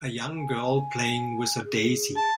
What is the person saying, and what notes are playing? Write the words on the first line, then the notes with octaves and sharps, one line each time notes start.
A young girl playing with a daisy.
G#5
G#4
A5